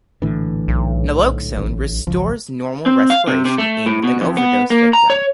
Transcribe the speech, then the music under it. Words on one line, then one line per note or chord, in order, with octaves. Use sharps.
Naloxone restores normal respiration in an overdose victim.
A#1 A2 D3 E3
B1
A1
G#1 C#2 F3
C4
F5
C3
C3
A3
A2
B2
F2
B3
A#3
A#5
C#5